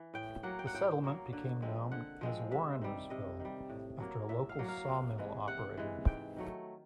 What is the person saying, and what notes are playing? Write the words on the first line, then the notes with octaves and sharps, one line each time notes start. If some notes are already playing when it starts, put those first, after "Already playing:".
The settlement became known as Warrinersville, after a local sawmill operator.
Already playing: E3
A2 G5
F#3 A#3 F#5
G5
F#5
A2 G5
F#3 A#3
D3
F3 G#3 C4
D3 F#5
F3 G#3 C4
C3 E5
D#3 G3
C3 D#5
D#3
G3
A2
F#3 A#3
A2 E5
F5
F#3 A#3
F5
C3
E3 G#3
C3 F#5
E3 G#3
G#2 G5
D#3 F#3 A3